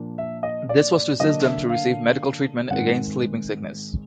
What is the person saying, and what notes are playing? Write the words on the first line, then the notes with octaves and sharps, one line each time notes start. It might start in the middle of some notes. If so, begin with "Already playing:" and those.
This was to assist them to receive medical treatment against sleeping sickness.
Already playing: A#2 F3 A#3 D4
E5
D#5
D5
D5
D3 F#3 A#3 D4 D#5
E5
F5
G#2 D#3 G#3 C4 F#5